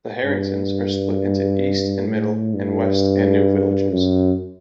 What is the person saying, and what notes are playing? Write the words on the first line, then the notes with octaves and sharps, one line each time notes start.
"The Herringtons" are split into "East and Middle" and "West" and "New" villages.
G2
A2
G2
F#2